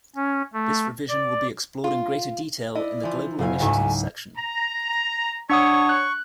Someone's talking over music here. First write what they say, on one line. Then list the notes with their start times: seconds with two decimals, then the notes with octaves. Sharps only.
This revision will be explored in greater detail in the "Global Initiatives" section.
0.16 C#4
0.53 A3
1.08 D5
1.84 F4
2.75 E4 D5 D#5
3.03 E3 F3
3.39 F#1 A4 F5 G#5
3.60 C#2 G#2 F#3 A3 G#5
4.38 A#5
5.50 D4 C#5 F#5 C#6 D#6
5.89 F#6